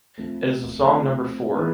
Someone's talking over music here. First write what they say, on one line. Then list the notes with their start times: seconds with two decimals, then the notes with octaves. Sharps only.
It is the song number four.
0.18 F3 A3 C4
0.86 F3 A3 C4
1.55 E3 G#3 B3 D#4